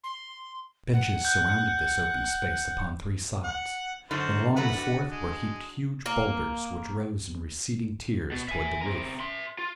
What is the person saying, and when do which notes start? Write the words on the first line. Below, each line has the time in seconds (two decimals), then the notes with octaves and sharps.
Benches surrounded this open space upon three sides, and along the fourth were heaped huge bowlders which rose in receding tiers toward the roof.
0.04 C6
0.94 F#5
1.25 F#6 G6
3.44 F#5
4.11 F#2 D3 D#4 F4 F#4 C5
4.57 F#3 A3 B3 B4 F#5
4.73 D4 F#4
5.11 G#3
6.06 A#3
8.32 B2
8.49 E5 G#5
8.82 C3 A#4
9.20 E5 C6
9.59 F4